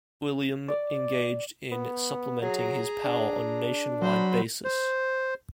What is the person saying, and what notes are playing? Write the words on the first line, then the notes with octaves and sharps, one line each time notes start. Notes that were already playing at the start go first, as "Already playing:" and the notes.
Uilleam engaged in supplementing his power on a nationwide basis.
D5
B3
F#3 G#4 A#5
D4
F#3 C5 B5
C5